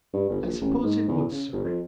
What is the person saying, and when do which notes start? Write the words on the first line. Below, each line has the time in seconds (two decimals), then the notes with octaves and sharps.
'I suppose it would, sir.
0.14 G2
0.30 G1
0.41 A#1
0.61 A1
0.83 G#2
1.08 E2
1.31 C#3
1.52 G1
1.64 F2